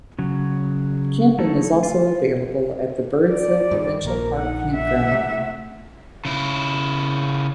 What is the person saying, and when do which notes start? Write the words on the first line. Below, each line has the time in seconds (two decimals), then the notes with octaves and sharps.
Camping is also available at the Birds Hill Provincial Park Campground.
0.19 C#3 F#3
1.38 F#3 A3 D#4 E4 A4
1.83 F4
3.29 D5
3.71 G2 D#3
4.04 A#1 A#3 A#4
4.36 D#4 F#5
4.73 E5 F#5
5.12 C3 A3
6.25 C#3 E4